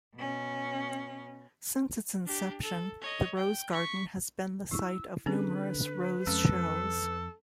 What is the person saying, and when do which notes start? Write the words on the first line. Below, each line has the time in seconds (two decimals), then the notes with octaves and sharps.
Since its inception, the Rose Garden has been the site of numerous rose shows.
0.16 B2 C#4
2.25 D4 G4
2.64 A4
3.02 C#5 D#5
3.37 G5
3.71 C#6 B6
4.71 E4 C#6 E6
5.26 D3 C4 C#4 G#4 B4
6.27 F2 G#3 C#4 A4